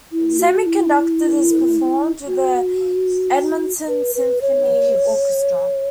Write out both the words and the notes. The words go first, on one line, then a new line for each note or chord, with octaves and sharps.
"Semi-Conducted" is performed with the Edmonton Symphony Orchestra.
E4
F#4
E4
F#4
B4
B4
C#5